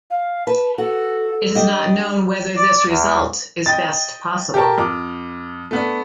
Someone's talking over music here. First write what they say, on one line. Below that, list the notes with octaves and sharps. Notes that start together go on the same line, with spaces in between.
It is not known whether this result is best possible.
F5
B4 A5
F#4 A4
D4 G4 D#5
D5
E2
D#5 G5 A6
G4 A4 A#4 A5
F2 D6 F6
A3 B3 D4